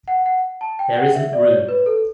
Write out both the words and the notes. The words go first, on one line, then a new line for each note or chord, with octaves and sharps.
There isn't room.
F#5
F#5
A5
G5
F#5
E5
D5
C#5
B4
A4